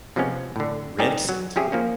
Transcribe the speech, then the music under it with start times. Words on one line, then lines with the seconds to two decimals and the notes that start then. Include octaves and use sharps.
Rinse it?
0.16 C3 F3 G#3 B3 C#4
0.56 A2 D3
0.99 G3 C4 C#4 D#4 G4 G#4
1.29 F#3
1.56 F3 C4 C#4 G4 G#4 E5
1.72 F3 A#3 C#4